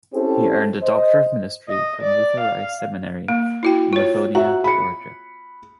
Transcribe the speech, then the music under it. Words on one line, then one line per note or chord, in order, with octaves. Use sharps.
He earned a Doctor of Ministry from Luther Rice Seminary in Lithonia, Georgia.
C4 C#4 E4 G4 A4 C5
C5 D#5
D#5
D5
F5
A#3
E4 F#4 G5
F4 C#5
F#4 E5 A#5
B5 C#7